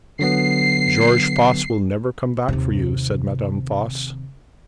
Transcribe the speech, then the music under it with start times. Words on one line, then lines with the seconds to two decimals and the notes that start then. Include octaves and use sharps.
'George Voss will never come back for you,' said Madame Voss.
0.19 D3 F#3 B3 C7
2.48 D#2 C3